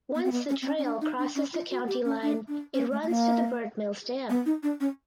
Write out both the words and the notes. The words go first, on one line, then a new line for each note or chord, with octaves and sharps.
Once the trail crosses the county line it runs to the Burnt Mills Dam.
B3
C4
B3
C#4
C4
C#4
C#4
D4
D#4
D4
C#4
F4
F#4
G4
C#4
D4
D4
C#4
A3
A3
A#3
B3
D#4
D4
C#4